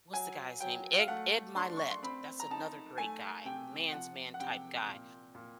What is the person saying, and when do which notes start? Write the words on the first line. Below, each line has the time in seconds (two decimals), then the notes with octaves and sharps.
what's the guy's name? Ed Ed Mylett, that's another great guy. Man's man type guy.
0.14 F#3 G#5
0.60 F#3 G5
0.98 F5
1.08 A3 F#5
1.55 D4 C6
1.77 C#6
1.90 C6
2.03 C4 B5
2.40 A#5
2.51 D#4 A5
2.98 A3 G#5
3.45 C3 G5
3.93 F3 F#5
4.34 F#5
4.40 C3 G5
4.88 A#2
5.35 A#2